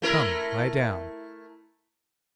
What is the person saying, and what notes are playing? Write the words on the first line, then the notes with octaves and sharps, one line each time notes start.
"Come, lie down."
A3 E4 A#4